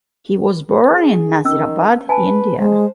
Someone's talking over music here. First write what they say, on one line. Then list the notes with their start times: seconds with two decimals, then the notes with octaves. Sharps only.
He was born in Nasirabad, India.
0.90 G#4
1.45 D#3 C#4 E6
2.09 B4 G#5 A5
2.59 G#3 C5